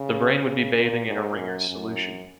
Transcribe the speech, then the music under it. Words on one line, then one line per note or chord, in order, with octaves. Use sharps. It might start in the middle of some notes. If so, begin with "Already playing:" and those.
The brain would be bathing in a Ringer's solution.
Already playing: C#3
C#3
A#2
G#2
F#2
F#2